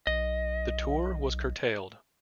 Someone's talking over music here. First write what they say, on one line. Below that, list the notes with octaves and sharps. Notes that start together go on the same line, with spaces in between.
The tour was curtailed.
B1 D#5